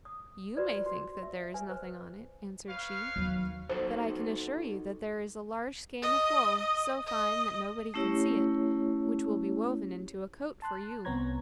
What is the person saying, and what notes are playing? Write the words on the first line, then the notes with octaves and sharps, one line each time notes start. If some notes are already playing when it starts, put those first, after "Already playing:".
'YOU may think that there is nothing on it,' answered she, 'but I can assure you that there is a large skein of wool, so fine that nobody can see it, which will be woven into a coat for you.'
D#6
F4 F#4 B4 C5 D5
F#4 C6
E5
B4 G#5
B4 C5
B4 C#5 F5
D#2 F#3
D#4 F#4 A4 C5
D#5
D#5
D#5
A3 C#4 E4 G4 C#5
A5 C6 F#6
C2 B3 C4 C#5 A#5 G#6